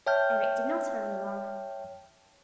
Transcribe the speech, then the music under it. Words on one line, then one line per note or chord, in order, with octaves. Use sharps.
Eric did not hurry along.
C#5 E5 G5 A5 F6 G6